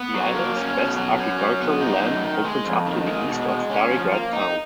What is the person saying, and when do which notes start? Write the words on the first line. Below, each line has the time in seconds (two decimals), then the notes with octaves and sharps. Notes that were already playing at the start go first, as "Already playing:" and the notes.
The island's best agricultural land opens up to the east of Stari Grad town.
Already playing: B3
0.14 F#3
0.35 A#3
0.56 C#4
0.76 B2
0.97 F#3
1.18 C#4
1.39 F#3
1.61 B3
1.81 D#4
2.02 F#2
2.23 D#3
2.44 G#3
2.65 F2
2.86 D#3
3.06 G#3
3.28 B2
3.49 G#3
3.70 C#4
3.91 F3
4.12 A#3
4.33 D#4